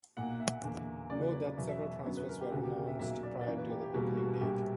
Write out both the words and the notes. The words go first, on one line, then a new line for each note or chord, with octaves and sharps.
Note that several transfers were announced prior to the opening date.
B1 A#2 A#3 F#5
E5
E2 D3 A#3
C#2 C#3 F#3 A#3 D5
B4
C#5
D5
E2 B2 F#3 E5
E5
E5
E5
F#2 D3 F#3 B3 C#5
B4
A#4
G4
E1 D2 C#3 F#4
G4
A#4
E5
B1 A#2 F#3 A#3 E5
D5
D5
F#2 E3 A#3 C#5
B4
G4
G4
E1 E2 B2 G3 A#3 F#4
F#4
A#1 A#2 G3 A#3 G4